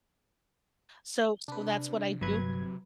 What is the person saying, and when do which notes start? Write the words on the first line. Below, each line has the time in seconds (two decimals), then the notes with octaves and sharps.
so so that's what I do,
1.48 C3 D4 B4
2.21 G1 F#3 B4 G#6